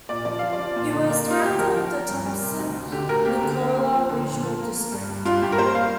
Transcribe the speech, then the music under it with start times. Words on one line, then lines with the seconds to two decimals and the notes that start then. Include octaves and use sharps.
He was director of the Thompson-Nicola Regional District.
0.09 A#2 D5
0.25 F3 D5
0.39 F3 F5
0.53 D5
0.59 F3
0.76 A#2
0.92 D3
1.09 A#3
1.25 A#3
1.31 F4
1.42 D2 G4
1.59 F3 A#4
1.76 F3
1.93 F3
2.08 G2
2.25 G3
2.42 C3
2.59 D2
2.75 D2
2.92 D3 G4
3.09 D2 A#4
3.25 A#3 G4
3.42 D3
3.59 A#3
3.76 A#3
3.91 F3
4.09 D3
4.26 A#2
4.42 F3
4.59 A#3
4.76 A#3
4.92 G2
5.09 G2
5.25 G2 F4
5.42 G2 G4
5.52 A#4
5.58 A#3 C5
5.75 A#3 F5